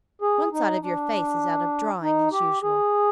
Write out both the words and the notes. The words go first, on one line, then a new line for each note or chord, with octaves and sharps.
One side of your face is out of drawing, as usual.'
G#4
D#4
D4
D#4
G4
G#4